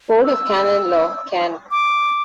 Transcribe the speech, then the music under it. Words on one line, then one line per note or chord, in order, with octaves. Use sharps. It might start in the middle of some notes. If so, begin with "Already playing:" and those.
"Code of Canon Law", can.
E6
D6